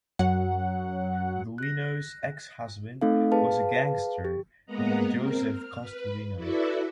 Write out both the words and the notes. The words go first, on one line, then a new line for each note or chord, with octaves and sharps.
Gulino's ex-husband was a gangster named Joseph Costilino.
F#2 F#3 F#5
F#6 A#6
A3 C4 D#4 A4 F5
G#4 B4 F5 A5
G4
G#3 A#3 B3 D#5 F#5 A#5
C4 A#4
F6
B4
E4 F#4 A4 B4 D5 E5